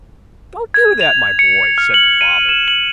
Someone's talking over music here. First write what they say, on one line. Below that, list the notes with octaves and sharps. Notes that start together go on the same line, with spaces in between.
"Don't do that, my boy," said the father.
G#6
F7
C#7
F6
F#7
D#7
E7
F#7